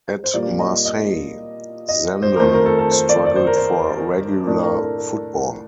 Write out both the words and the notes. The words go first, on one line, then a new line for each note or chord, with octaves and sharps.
At Marseille, Zenden struggled for regular football.
C5
A#2 G3 A#3 D5
D#5
D#5
D#5
C5
A#4
F2 D#3 A3 C5
A#4
A4
A4
C5
D5
D5
C5
A#4
C5
A2 A3 D4 A#4
A#4
A4
A#4
A4